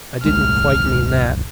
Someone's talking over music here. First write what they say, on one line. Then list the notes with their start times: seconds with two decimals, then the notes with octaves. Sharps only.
"I didn't quite mean that."
0.24 D#1 C2 G#3 F6